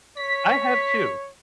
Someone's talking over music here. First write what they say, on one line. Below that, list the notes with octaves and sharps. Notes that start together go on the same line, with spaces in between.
I have too.
C#5 B6